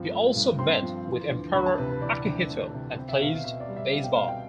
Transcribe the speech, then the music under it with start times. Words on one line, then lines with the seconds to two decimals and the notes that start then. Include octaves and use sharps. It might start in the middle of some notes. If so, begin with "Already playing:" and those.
He also met with Emperor Akihito and played baseball.
Already playing: G2 F3 C4
0.11 A3
0.36 G2
0.59 C4 C6
0.82 F3
1.07 E3
1.30 D2
1.54 D2 B5
1.66 A5
1.78 C3 B4
1.90 B4
2.01 E3 D5
2.25 D2
2.49 D2
2.73 C3
2.96 C4
3.09 E5
3.20 B2 F5
3.33 F5
3.44 B2 E5
3.60 D5
3.68 G3
3.76 E5
3.92 C4 F5
4.04 G5
4.15 B2 F5
4.28 G5